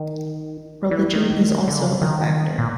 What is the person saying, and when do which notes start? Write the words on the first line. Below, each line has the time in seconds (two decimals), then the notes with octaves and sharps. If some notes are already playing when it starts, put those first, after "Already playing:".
Religion is also a factor.
Already playing: D#3
0.91 E3
1.14 D#3
1.68 D3
1.79 C#3
2.01 D#3
2.58 A#2